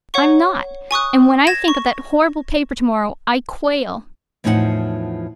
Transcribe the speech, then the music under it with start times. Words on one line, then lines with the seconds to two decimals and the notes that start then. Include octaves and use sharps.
I'm not--and when I think of that horrible paper tomorrow I quail.
0.14 C#5 F#5 C#6
0.91 G#5 C#6 D#6 F#6
1.47 G#6 A#6 E7
1.68 C#6
4.44 E2 A2 F3 D#4 F4 F#5